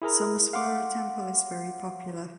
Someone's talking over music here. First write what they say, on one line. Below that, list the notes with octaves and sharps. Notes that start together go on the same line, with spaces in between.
Someswara Temple is very popular.
E4 G#4 A#4 A#5
F5 F#5 C6 D6